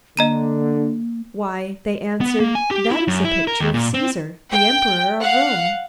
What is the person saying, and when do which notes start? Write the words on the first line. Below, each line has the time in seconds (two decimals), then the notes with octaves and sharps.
"Why," they answered, "that is a picture of Caesar, the emperor of Rome."
0.17 D3 A#3 D#5 A#5 D#7
2.21 B3
2.40 A#3
2.55 G#5
2.71 G4
2.91 E4
3.08 F#2
3.25 E4
3.47 A#4
3.60 D#2
3.74 A#2
3.94 C4
4.52 G5
5.21 F5 F#5